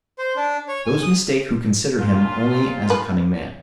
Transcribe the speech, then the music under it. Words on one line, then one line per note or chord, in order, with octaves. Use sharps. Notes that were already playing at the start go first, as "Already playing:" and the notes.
Those mistake who considered him only as a cunning man.
C5
D4
C#5
G#5
D#6
A#2 F4
B4